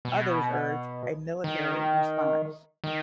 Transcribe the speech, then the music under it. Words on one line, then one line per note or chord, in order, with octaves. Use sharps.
Others urge a military response.
B2
D#3
D#3